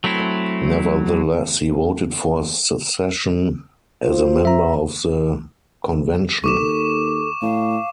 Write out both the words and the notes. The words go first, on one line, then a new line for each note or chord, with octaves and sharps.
Nevertheless, he voted for secession as a member of the convention.
F#3 A3 C4 E4
F4 C5
E5 A#5
D#2 A4 C#6 D6 E7
A2 F5